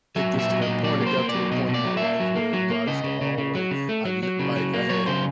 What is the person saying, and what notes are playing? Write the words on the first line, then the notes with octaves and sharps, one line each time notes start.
It gets to that point, it got to a point in my life where, you know, I used to alway I n like, I had
F#3 E5
A#2
E5
F#3
D#5
A#2
F#3 D5
A#3
C5
A#3
D5
F#3
B2 D#5
B2
D5
F#3
E5
A#3
F#3
A#3
F#3
A#3
C#3 D#5
C#3
C#3
C#3
F#3
C#3
A3
F#3
F#3
C#3
F#3
A#3
F#3 C#5
C#3 C5